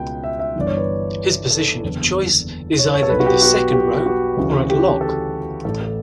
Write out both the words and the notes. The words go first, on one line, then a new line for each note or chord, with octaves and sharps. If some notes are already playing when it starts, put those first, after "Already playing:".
His position of choice is either in the Second Row or at Lock.
Already playing: C#2 B2 G5
E5
E5
G1 G2 E3 D5
C#5
B4
A4
F#1 E2 D3
C#5
C#5
A4
B1 B2 B4
F#4
G4
F#4
G4
F#4
D2 C#3 E3
G4
A4
A1 A2 E3 A4
A4